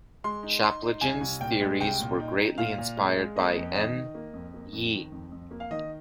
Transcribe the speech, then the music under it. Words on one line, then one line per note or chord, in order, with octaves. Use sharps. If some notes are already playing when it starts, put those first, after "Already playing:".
Chaplygin's theories were greatly inspired by N. Ye.
G#3 C6
D#4
D#4 C6
D#4
C2 G#5
C2
A#2 G5
G#3
C2 G5
A#2
D#4
D#4
A#2 F5
A#2
G#3
G#3
A#3 D#5
F2
D#3 D#5
D#3
A#3
F2
A#3
F2
D#3
F2
F2
A#3
F5
D#3 D#5